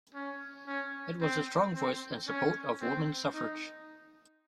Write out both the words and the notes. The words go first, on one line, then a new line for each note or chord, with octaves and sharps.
It was a strong voice in support of woman's suffrage.
C#4
C#4
C4
C4
C#4
C4
D#4